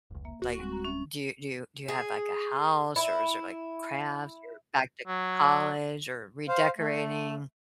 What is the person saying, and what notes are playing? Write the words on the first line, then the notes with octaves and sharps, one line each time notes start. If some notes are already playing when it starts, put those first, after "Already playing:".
like do do do you have like a house or is there like crafts or back to college or redecorating?
F1 C#2
A#3 E5
D1 F#4
G3 G#3 C4
A#5
C#4 E5
G#4
E4
F#3
C5 F5
A3